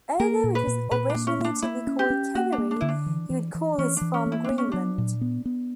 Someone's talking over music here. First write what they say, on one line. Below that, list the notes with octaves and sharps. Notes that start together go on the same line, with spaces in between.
Although it was originally to be called Canary, he would call his farm "Greenland".
A#3 A#4
A#2
B4
A#2
A#2 B4
D4
A#3
C#4
A#3
D4
A#3 E4
C#4
G4
C#4
A#3 F#4
D4
A#3
D4
D3 E4
D4
E3
E3
E3
E3 C#4
E3 D4
C#4
A#3
E4
D4
B3
C#4
F#3 D4
A#2
B3
B3